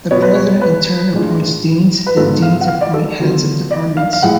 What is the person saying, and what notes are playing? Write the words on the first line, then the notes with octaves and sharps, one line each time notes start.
The president in turn appoints deans, and deans appoint heads of departments.
B2 F#3 B3 F4 C#5
B4
C#5
B4
A2 G#3 D4 F4
B4
G#2 F3 B3 F4 A4
F5
F#5
F5
D5
A4
D3 F#3 B3 F4
D5
F5
F5
A2 F3 G#3 F#5